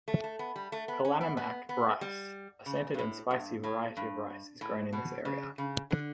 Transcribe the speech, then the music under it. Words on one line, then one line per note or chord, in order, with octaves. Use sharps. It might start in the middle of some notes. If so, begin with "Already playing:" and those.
Kalanamak rice, a scented and spicy variety of rice is grown in this area.
A3
A3
B3
G3
A3
B3
C#4
B3
B3
B3
G3
C#3
G2
A2
G2
A2
G2
A2
B2
C#3
C#3
D3